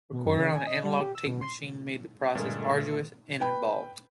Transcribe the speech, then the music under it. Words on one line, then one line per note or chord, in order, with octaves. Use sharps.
Recording on an analogue tape machine made the process arduous and involved.
B2
F#2
C#3
G#5
D#5
G3
G4
E6
B2
C6
G2 A#2 D3 G#3 A3 A4 A#4
B4 G5 B5